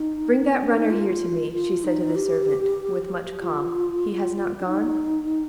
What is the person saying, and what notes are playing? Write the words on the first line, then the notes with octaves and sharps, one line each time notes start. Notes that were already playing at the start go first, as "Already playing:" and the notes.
"Bring that runner here to me," she said to the servant, with much calm. "He has not gone?"
Already playing: D#4
C4
D4
D#4
F4
F4
D#4
G4
F4
D4
D#4